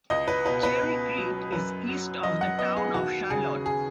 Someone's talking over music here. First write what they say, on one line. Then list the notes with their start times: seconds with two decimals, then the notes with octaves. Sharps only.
Cherry Creek is east of the town of Charlotte.
0.10 C#2 D#5
0.28 B4
0.46 B2 B4
0.63 B4
0.81 B3
1.17 F#3
1.52 F#2 B4
1.88 F#3
2.23 F#2 D#5
2.41 F#5
2.58 B3 D#5
2.77 G#4
2.94 D#2 F#4
3.30 C#3 G#4
3.66 G#4